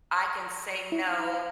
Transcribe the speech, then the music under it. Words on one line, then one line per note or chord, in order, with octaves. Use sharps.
I can say, "No."
E4
F#6
A#5
F5